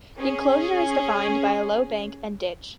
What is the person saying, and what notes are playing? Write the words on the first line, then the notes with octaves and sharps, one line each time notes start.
The enclosure is defined by a low bank and ditch.
C#4 G#4